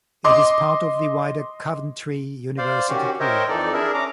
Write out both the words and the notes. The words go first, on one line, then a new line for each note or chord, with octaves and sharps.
It is part of the wider Coventry University Group.
D#5 C6 D6
C5 D5 F5
D#3 C#4 F#4 G4
A#4 C5 C#5 D#5 E5 G5
F2 E3 D#4 A4 D5
D4 E4 G#4 A#4 E5
C#4 A#5 D6